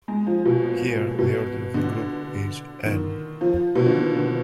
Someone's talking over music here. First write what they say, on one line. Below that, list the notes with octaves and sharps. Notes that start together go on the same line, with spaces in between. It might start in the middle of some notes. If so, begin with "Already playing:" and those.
Here the order of the group is "n"!
G#3
F3
B2
A#2
B2
D3
D#3
F3
B2
D3
D#3
D3